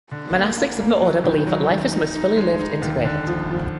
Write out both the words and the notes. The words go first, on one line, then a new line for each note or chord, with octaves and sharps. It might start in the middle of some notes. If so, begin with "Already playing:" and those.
Monastics in the Order believe that life is most fully lived integrated.
D3
A#3
A#3
A#3
F#3
D#3
F#3
D#3
D#4
D#4
G#3
D#4
D#2
D3
F3
F3